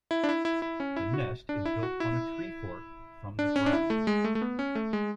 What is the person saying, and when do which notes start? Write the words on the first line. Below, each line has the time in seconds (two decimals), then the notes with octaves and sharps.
The nest is built on a tree fork from the ground.
0.11 E4
0.24 D4
0.29 E4
0.45 E4
0.62 E4
0.80 C#4
0.96 E4
1.14 F#4
1.49 D4
1.65 E4
1.83 F#4
2.00 E4
3.39 D4
3.56 C#4
3.66 D4
3.73 E4
3.90 A3
4.07 G#3
4.24 A3
4.35 A3
4.42 B3
4.59 C#4
4.75 A3
4.93 G#3